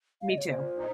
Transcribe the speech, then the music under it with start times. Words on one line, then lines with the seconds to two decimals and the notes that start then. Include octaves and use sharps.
Me too.
0.21 F5
0.30 D#5
0.38 C#5
0.45 A#2 C5
0.78 D#4